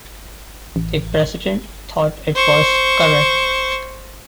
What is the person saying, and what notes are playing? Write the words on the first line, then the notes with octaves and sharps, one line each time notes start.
The President thought it was correct.
A1
C5 C#6